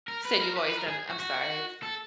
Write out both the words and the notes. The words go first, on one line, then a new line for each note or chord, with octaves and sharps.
Said you've always done I'm sorry, it's
A#4
B4
A#4
B4
B4
A#4
G#4
F#4
F#4
A4